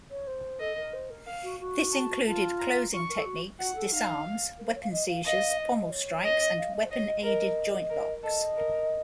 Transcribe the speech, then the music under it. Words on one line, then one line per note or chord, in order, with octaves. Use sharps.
This included closing techniques, disarms, weapon-seizures, pommel-strikes, and weapon-aided joint-locks.
C#5
C5
A4 D#5
A#4
C5
A#4
F5
F#4
F#4
A5
F4 A5
A#5
F4 C#6
A#4
A4
F#4
F#4 F#5
A4
D#4 F5
A#4
C5
C#5
F5
D#5
F5
D#5 F5
D#5
C#5
D#5
F5
D#5
C5
C#5 D#5
D#5
A#4 D#5
A#4
A4 D#5
A#4